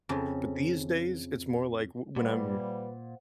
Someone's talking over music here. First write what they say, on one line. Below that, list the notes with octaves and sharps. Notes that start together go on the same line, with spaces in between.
But these days it's more like w when I'm
F2 C#3
A#2 G3 B4 C5 F5 F#5